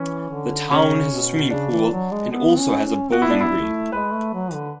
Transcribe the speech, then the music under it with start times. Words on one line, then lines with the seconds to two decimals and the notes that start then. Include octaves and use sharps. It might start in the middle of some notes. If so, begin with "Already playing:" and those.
The town has a swimming pool and also has a bowling green.
Already playing: E3 C#4
0.30 D3
0.71 C#3 C#4
1.11 B2
1.50 C#3 D4
1.71 E3
1.91 F#3
2.11 G#3
2.31 B3
2.58 C#4
2.85 C#4
3.11 B3 F#4
3.22 E4
3.30 D4
3.41 E4
3.53 A3
3.92 G#3 B4
4.12 A3
4.33 F#3
4.53 D3